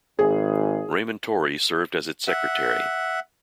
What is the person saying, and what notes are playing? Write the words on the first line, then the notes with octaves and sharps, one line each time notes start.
Raymond Torrey served as its Secretary.
G#1 G#4
E5 F#5